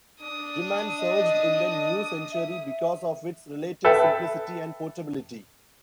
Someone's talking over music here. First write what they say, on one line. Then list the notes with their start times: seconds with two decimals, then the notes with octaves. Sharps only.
Demand surged in the new century because of its relative simplicity and portability.
0.21 D4 D#6
0.99 D#5
2.32 E5
3.85 A4 B4 E5 G5